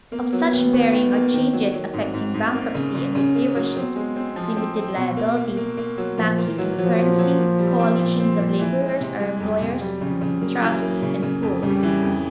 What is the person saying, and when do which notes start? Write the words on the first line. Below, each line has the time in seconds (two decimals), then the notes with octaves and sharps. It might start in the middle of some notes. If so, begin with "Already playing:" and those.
Of such bearing are changes affecting bankruptcy and receiverships, limited liability, banking and currency, coalitions of laborers or employers, trusts and pools.
0.12 A#3 B3
0.32 F#3
0.53 D#2
0.73 D#2
0.93 D#3
1.13 A#3
1.34 D#3
1.53 F#3
1.73 F#3
1.93 G#2 C4
2.13 G#2
2.34 G#2
2.54 A#3
2.74 C#3
2.95 C#3
3.15 C#3 C#4
3.35 A#3
3.56 F#3
3.76 B3 C4
3.95 G#3
4.16 C4
4.36 F3
4.56 C4
4.76 C4
4.97 B2
5.17 A#3
5.37 A#3
5.57 A#3
5.77 A#3
5.97 F#3
6.17 A#2 F3
6.38 A#3
6.48 E3
6.58 F#3
6.78 F3 F#3
6.98 A#2
7.19 F#3
7.39 A#2
7.59 G3
7.79 C4
8.00 A#2
8.20 C4
8.40 A#2
8.59 E3
8.80 G#3
9.00 C3
9.20 G3 G#3
9.40 F2
9.61 C3
9.81 F#3 G3
10.01 C#3
10.11 F3
10.21 C#3
10.41 F#3 A#3
10.62 E3
10.82 A#3
11.02 C#3
11.22 C#3
11.43 F2
11.63 C#3 G3
11.83 E3
12.03 F2